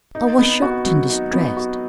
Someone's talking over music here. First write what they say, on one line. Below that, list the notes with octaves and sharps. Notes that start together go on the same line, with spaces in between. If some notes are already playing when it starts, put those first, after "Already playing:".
I was shocked and distressed.
D#4
B3
F#4
F#3
D#4
B3
F#4